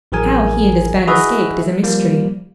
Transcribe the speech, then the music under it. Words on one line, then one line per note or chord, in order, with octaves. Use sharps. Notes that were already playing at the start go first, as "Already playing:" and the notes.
How he and his band escaped is a mystery.
A1 E3 F#3 G#4 A#4 G#5
E4 F#4 G#4 B4 D#5 E5
F3 G3 A#3